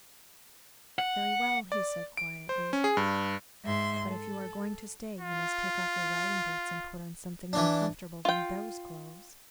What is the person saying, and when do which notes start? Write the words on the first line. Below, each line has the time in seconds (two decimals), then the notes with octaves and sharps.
"Very well," he said quietly, "but if you are going to stay you must take off your riding-boots and put on something more comfortable than those clothes."
0.99 F#5
1.72 D5
2.17 D7
2.49 C5
2.73 C#4
2.84 G#4
2.97 G2
3.64 G#2 E5 C6
4.07 A4
5.20 F4
7.53 E3 D4
8.25 F4 G5